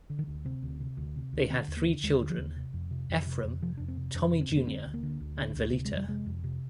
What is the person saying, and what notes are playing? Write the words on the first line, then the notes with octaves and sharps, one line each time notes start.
They had three children; Efrem, Tommie Junior and Veleeta.
D3
D#3
D2
C3 C4
D2
C3
D2
C3
D2
D4
D3 C4
D#2
A#3
D3
D#2 G#3
D3
F3
D#2
C3
F2
C3
F2
C3
F2
C3 F3
F2 D4
C4
C3
F2 D4
C3
C4
F2
A#3
D3 C4
D2
A#3
D3
D2
D3
D2
C3 A#3
G#3
F2
G3
C3 G#3
F2
C3